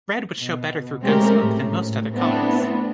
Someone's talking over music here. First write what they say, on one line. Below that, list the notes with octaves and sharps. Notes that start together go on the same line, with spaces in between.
Red would show better through gunsmoke than most other colors.
B2
G#3 A3 C4 C#4 G4 A#4
A2
A3 B3 C4 D4 E4